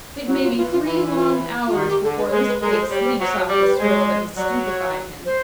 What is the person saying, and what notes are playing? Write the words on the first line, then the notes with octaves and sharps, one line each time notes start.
It maybe three long hours before this pig sleeps off the swill that has stupefied him.
F#3 E4
F4
E3 F4
F4
E3 E4
F4
E4
F4
F4
D#3 F#4
G4
D3 A4
B4
C#5
G#3 C5
B4
G#3 A#4
A4
C5
G3 C#5
C5
F#3 C5
C#5
G3 D5
B4
G#3 C5
C#5
D5
D#5
F#3 D5
C#5
C5